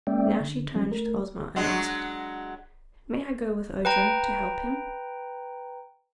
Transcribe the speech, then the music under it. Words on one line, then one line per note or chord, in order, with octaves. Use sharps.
Now she turned to Ozma and asked: "May I go with Ojo, to help him?"
G#3 A#3 C#4 D5 E5 G5
D3
F3 F#3 C#4
A3 A#4
F#3 G#3 D4
B4 G5 A#5